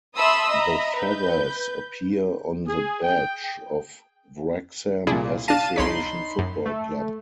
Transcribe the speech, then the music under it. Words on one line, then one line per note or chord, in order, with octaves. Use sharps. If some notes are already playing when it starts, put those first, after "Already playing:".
The feathers appear on the badge of Wrexham Association Football Club.
E5 A5 B5 C6 D#6 E6
D#5 E5 A#5 B5
B4 G6
G#4
G5
C2 A#2 D4 E4 G#4
D4 F5 A5 A#6 D#7
C2 D#4 C#5 B5 C6 B6
F#2
A3